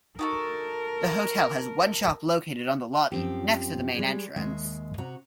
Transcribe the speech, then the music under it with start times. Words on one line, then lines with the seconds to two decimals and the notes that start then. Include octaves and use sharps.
The hotel has one shop located on the lobby next to the main entrance.
0.19 D#4 F#4 A4 A#4
3.12 F#2 F3 C4 G4
3.94 G3 G#3 G#4
4.36 D#2 G#3 E5
4.98 C3 F#4 A#5